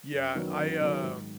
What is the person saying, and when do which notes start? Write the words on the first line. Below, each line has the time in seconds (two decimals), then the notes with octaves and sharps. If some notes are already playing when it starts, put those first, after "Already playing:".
Yeah. I, uh,
0.12 F#2
0.35 D#3 F#3 B3
0.57 F#2
0.81 D#3 F#3 B3
1.03 G#2